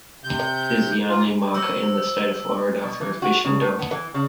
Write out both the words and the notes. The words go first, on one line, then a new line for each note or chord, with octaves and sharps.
It is the only marker in the State of Florida for a fishing dock.
C3 G6
F4
F#4 C5 C#5 E6
B2
E3
F#4
C#3
A2
B3
E3
C#3